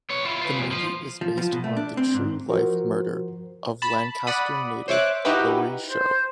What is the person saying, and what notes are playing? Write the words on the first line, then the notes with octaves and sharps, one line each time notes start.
The movie is based on the true-life murder of Lancaster native Laurie Show.
B3 C#5
E4 F4
F4 B4
F2 A#2
F3 F4
F3
F3
B2
A3
D4
C4
G#2
F3 F#4 A#4 C5
A5 B5
D5 F#5 B5 D#6
C5 C#5 E5 D6 F#6
D#4 E4 F#4 G4 B4
C5